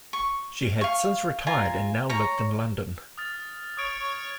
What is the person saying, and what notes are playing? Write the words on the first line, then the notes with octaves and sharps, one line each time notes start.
She had since retired and now lived in London.
C#6
F5 C#6
F4 G#5 A#5
C#5 A#5
D#6 F6 A6
C#5 C#6 D#6 D7